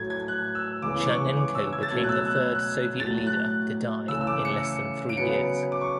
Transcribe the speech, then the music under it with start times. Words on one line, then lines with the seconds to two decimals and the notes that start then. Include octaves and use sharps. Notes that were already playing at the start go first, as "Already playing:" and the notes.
Chernenko became the third Soviet leader to die in less than three years.
Already playing: A2 F#3 A3 G#6
0.10 G#6
0.28 F#6
0.55 E6
0.82 C#3 E3 G#3 B3 D6
1.04 D6
1.09 C#6
1.37 D6
1.55 E6
1.73 G#6
1.83 A6
1.91 B2 F#3 A3 G#6
2.03 F#6
2.09 E6
2.27 F#6
2.41 G#6
2.55 F#6
3.00 A2 F#3 A3 A6
3.27 F#6
4.08 C#3 E3 A3 E6
4.21 E6
4.27 D6
4.45 C#7
4.63 C#7
5.09 D7
5.17 C#3 F#3 B3 C#7
5.72 D6
5.81 C#6